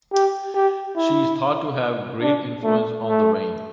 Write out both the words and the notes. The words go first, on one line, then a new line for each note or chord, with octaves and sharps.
She is thought to have great influence on the rain.
G4
G4
E4
D4
A3
A3